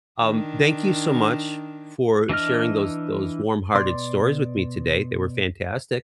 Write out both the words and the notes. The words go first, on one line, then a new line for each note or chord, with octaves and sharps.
um, thank you so much for sharing those those warm-hearted stories with me today, they were fantastic.
D#3 D4
E3 D4 D#5 F6
B2 D5 C6